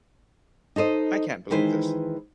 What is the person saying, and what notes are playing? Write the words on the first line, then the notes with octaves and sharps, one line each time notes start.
I can't believe this.
D#4 A4 C5 D#5
D#3 E3 G#3 B4 C5